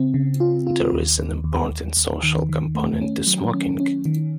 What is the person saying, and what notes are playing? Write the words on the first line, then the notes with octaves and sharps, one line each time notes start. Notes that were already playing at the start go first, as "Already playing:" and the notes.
There is an important social component to smoking.
Already playing: C#3 C4
C#3
F4
F4
D#2
D#2
D#2
D#2
D#2
D#3
D#3
A3
C#4
F#3
C#4
C#4
D#3